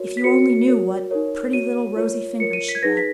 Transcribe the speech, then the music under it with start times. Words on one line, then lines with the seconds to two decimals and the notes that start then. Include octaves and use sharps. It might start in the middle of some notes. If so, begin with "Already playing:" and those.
If you only knew what pretty little rosy fingers she had!
Already playing: F#4 A#4 C#5
0.17 B6
0.24 F#4 A#4 C#5 C#7
0.67 F#4 A#4 C#5
1.11 D#4 A#4 C#5
1.53 F#4 C#5 D#7
1.96 F4 A#4 C#5
2.39 F4 A#4 C#5 C#7
2.53 D#7
2.68 B6
2.75 G#6
2.83 D#4 G#4 B4 A#6
2.97 B6